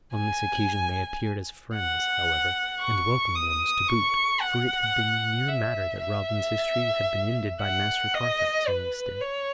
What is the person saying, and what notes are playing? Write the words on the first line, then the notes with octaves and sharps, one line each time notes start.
On this occasion they appeared as friends, however--and welcome ones to boot; for it had been a near matter that Robin's history had been ended by Master Carfax on this day.
G#5
F#5
C#6
D#6
C#6
F#5
E5
E5
F#5
D#5
B4
C#5